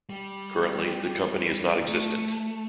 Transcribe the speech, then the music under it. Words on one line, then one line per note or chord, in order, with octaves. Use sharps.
Currently, the company is not existent.
G3
A3